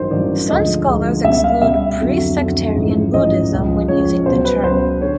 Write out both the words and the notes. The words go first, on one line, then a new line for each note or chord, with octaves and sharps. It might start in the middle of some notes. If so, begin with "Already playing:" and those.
Some scholars exclude pre-sectarian Buddhism when using the term.
Already playing: A1 G2 D#3 F#3 C5
A1 G2 D#3 F#3 D5
D2 D3 F3 G#3 D#5
D2 D3 F3 G#3
C#2 B2 G3 E5
F5
C#2 B2 G3 E5
F2 D3 F#3
F2 D3 F#3
A1 G#2 F3 G#3
A1 G#2 F3 G#3 D#5
C#2 C#3 F3 G#3
C#2 C#3 F3 G#3 C#5
C#2 B2 F#3 C5
B4
C#2 B2 F#3 C5
D3 C#5